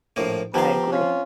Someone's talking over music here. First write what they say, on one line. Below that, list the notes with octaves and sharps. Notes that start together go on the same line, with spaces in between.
I agree.
A#1 A2 A#3
F3 B3 G4 F5 A#5
C4 C#4 F4